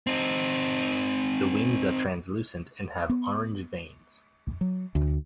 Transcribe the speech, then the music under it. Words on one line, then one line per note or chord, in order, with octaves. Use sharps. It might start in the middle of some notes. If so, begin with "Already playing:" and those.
The wings are translucent and have orange veins.
C4 D#4
B3
F#3
D2